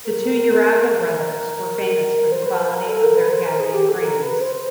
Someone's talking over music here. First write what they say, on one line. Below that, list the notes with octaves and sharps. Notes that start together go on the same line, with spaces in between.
The two Urago brothers were famous for the quality of their handmade frames.
A#4
C5
B4
B4
A#4
A4
A#4
B4
C5
A#4
G#4
G4
A4
A#4
B4
C5